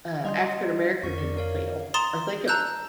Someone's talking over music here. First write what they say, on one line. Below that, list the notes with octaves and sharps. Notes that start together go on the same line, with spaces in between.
uh, African American people feel or think
G3 D#5 C6
F2 A#4 C#6
D5
A#4 C#5 F5
A#5 C6 D#6 A6 E7
A5 A#5 E6 F#6 G6